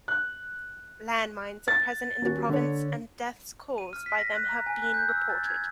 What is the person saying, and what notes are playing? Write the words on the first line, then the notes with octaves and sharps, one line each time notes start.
Landmines are present in the province and deaths caused by them have been reported.
F#6
A6
D#1 F#4
D3 C#5
D#7
F6
B6
A#6
F#6
A#5
G#5
F#6
G6
E6
A6
G#6